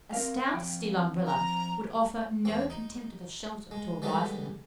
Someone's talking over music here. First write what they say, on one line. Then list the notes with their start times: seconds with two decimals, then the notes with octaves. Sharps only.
A stout steel Umbrella would offer no contemptible shelter to a rifleman.
0.13 C4 A#4 F5
0.54 F2 G5
1.26 A#5
2.45 E2 C4
2.70 D#4
3.71 G#3
4.02 E3 G3 G#3 B3 A4